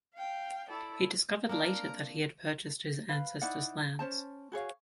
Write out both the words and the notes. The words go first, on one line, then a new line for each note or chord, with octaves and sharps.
He discovered later that he had purchased his ancestors' lands.
F5 G5
E4 A4 D5
A#3 C4 D4 A#4
B4 F5
D#4 E4 D5 F#5
C#4 C5 A5
F#4 G#4 C#5 F5